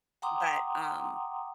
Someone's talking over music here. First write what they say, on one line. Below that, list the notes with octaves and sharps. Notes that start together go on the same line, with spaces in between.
But, um,
F#5 G5 A#5 C6 D6 D#6